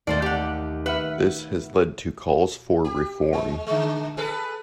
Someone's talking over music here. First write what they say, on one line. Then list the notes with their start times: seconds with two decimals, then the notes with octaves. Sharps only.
This has led to calls for reform.
0.07 D#2 A3 A4 C5 D5
0.22 G4 F#5
0.86 B4 E5 F#5 F6
2.85 G4
3.33 G#3
3.66 D3 G#3
4.17 G#4 A4 B4